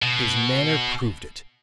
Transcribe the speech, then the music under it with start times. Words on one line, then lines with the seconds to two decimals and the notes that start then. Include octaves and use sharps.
His manner proved it.
0.02 B2